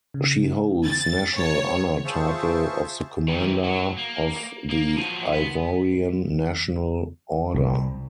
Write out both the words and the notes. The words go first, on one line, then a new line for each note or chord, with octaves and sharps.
She holds national honour title of the Commander of the Ivorian National Order.
C#3
A6
C#5
F4 G#4 C5 E5 A5 C#6
D#3 E3
F#3
A#3
A#3
F3 F#3
B3
C2